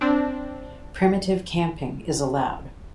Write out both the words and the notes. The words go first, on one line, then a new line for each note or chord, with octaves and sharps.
Primitive camping is allowed.
C4 D4